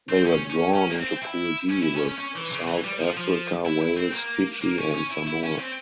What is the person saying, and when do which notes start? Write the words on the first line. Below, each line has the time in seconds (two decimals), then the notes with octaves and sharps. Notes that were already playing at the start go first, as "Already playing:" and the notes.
They were drawn into Pool D, with South Africa, Wales, Fiji and Samoa.
0.09 C4
0.25 C#4
0.50 C#4
0.73 C#4
0.90 A#3
0.97 C4
1.22 E4
1.70 C#4
1.83 E4
1.95 C#4
2.07 C#4
2.19 C#4
2.36 E3
2.51 C#3
2.67 E3
2.84 G3
3.00 F3
3.17 F3
3.65 E4
3.81 E4
3.97 C4
4.14 A#3
4.62 A#3
4.78 C#4
4.95 C#4
5.10 E4
5.27 E4
5.43 C#4
5.59 C4